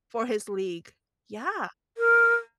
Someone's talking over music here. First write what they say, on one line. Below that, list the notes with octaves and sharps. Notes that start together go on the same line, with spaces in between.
for his league. Yeah.
A#4